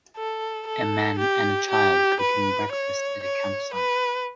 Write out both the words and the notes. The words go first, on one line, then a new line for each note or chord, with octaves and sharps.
A man and a child cooking breakfast at a campsite.
A4
A4
G4
G4
B4
C#5
C#5
B4